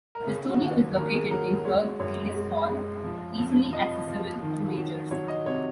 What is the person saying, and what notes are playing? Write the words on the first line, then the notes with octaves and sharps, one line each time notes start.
The studio is located in Hugh Gillis Hall, easily accessible to majors.
A#4
C#3 G#4
F#4
D#2
D#2 A#4
G#4
F#3 A#4
G#3 C#5
F#2 C#5
G#3
G#3
F3
F2
F3 D#5
F3
D#3
F#3
F#3 C#5
D#5
C3 C#5